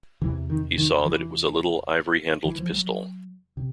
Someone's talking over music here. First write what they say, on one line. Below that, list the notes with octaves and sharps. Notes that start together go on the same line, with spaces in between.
He saw that it was a little ivory-handled pistol.
E2 C3 E3
D#3
D#3
E3
E3
F3
F#3
C3